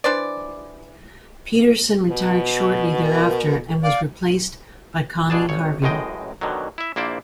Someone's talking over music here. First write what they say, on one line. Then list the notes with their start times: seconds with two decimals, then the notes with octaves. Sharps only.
Peterson retired shortly thereafter and was replaced by Connie Harvey.
0.04 E3 D4 C5 D5
2.09 B2
3.03 A#4
3.83 D5 F5
5.30 B2 D4 G#4 A5
5.49 G#1 C#5
5.82 A1 F#2 A2 G#3 D#5 G5
6.41 B2 D3 D#3 F#3
6.78 E4 E5
6.96 A#1 A#3 E4 C5 D5